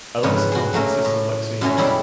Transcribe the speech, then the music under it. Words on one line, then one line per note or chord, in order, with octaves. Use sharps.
A lexicon consists of lexemes.
F2 G#2 C#3 B4 C#5
F#4 G#4
F#3 A3 A#3 C#4
A2
F#2 F#3 A3 C#4 C#5 G#5
B2 G3 E4 G#4 C#5 D5